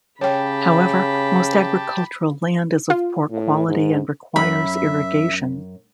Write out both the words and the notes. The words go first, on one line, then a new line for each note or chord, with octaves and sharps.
However, most agricultural land is of poor quality and requires irrigation.
C#3 G4 C#5 G5 A5 B5
F4
A2
G#2
F#2 E5 B5